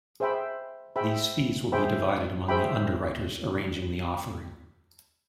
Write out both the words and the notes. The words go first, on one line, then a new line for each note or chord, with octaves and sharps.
These fees will be divided among the underwriters arranging the offering.
G#4 C5 E5 G5 B5
G#4 C5 E5 G5 B5
G#4 C5 E5 G5 B5
G#4 C5 E5 G5 B5